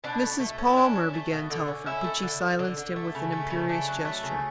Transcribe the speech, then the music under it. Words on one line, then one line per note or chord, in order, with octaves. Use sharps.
"Mrs. Palmer," began Telford, but she silenced him with an imperious gesture.
B2 D4
A3
A3
C#4
E4
C#4 D4
C#4
A3
B2
D3
C#4
C#4 E4
A3
D3
D3
D3
D3
A3
C#3
A3
C#3
A3 D4
F#3
A3
C#3